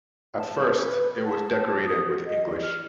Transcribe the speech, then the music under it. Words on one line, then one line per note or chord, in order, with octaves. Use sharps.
At first it was decorated with English.
A5
B4
A5
D#6
F#4
D#5
D5
F6